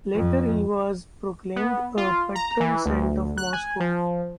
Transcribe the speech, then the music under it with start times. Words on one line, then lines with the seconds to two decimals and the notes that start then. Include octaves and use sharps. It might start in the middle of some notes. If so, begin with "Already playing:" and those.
Later he was proclaimed a patron saint of Moscow.
0.14 F2
1.56 B3
1.97 F4
2.35 A#5
2.60 E3
2.86 D2
3.38 F#6
3.53 G#5
3.80 F3